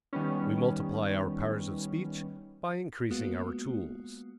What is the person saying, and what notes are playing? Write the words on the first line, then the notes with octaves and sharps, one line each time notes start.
We multiply our powers of speech by increasing our tools.
D#3 G3 B3 C#4
G#3 A#3 B3 F4 F#4